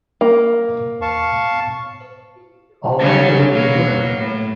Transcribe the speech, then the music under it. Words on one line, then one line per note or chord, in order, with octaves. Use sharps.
All right the way they were.
A#3
F5 A5 C#6
C#3 F#3 G3
B2 F#3 A#3
A2